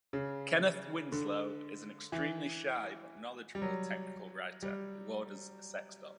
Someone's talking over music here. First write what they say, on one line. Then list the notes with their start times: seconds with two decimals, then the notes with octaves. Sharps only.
Kenneth Winslow is an extremely shy but knowledgeable technical writer who orders a sex-doll.
0.13 C#3
1.12 D3
2.12 E3
3.55 G3
3.62 F#3
4.62 G3